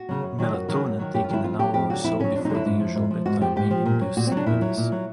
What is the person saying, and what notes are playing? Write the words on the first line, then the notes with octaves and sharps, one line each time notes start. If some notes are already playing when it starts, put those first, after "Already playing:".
Melatonin taken an hour or so before the usual bedtime may induce sleepiness.
Already playing: F#4
C#3 F#3
F#2
D#3 F#3
F#2 F#4
D#3 F#3
F#2
D#3 F#3
F#2 G4
F4
D#3 F#3 E4
F2 F4
D3 F#3 G4
F2 G4
D3 F#3 F#4
F2 E4
D3 F#3 C#4
F2 D4
D#4
D3 F#3 E4
G#2
F3
G#2
F3
G#2 F#4
F3 G4
G#2 G4
F3
A#2
F#3
A#2 F#4
C4
F#3
D4
A#2 E4
F#3
A#2
F#3